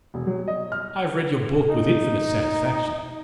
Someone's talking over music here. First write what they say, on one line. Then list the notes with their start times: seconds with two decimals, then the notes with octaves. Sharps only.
I have read your book with infinite satisfaction.
0.14 E1
0.27 F#3
0.48 D#5
0.72 F6
1.69 D#4